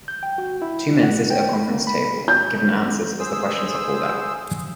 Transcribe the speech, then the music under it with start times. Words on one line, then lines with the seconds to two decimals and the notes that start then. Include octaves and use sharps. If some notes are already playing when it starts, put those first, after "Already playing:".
Two men sit at table at a conference given answers as the questions are called out.
0.08 G6
0.23 G5
0.38 F#4
0.62 E4
1.03 F#5
1.30 G5
1.51 A3
1.71 A#3
1.87 B5
2.28 G6
3.20 G#4 C5 E6